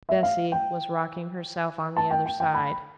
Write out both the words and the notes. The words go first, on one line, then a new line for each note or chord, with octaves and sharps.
Bessy was rocking herself on the other side.
E5
F5
G5
A5
G5
G5
G5
B5